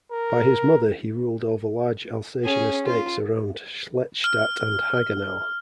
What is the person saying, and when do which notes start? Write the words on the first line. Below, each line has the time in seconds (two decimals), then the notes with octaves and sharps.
By his mother he ruled over large Alsatian estates around Schlettstadt and Hagenau.
0.11 A#4
2.44 C#4 G#4
2.86 F4
4.24 F6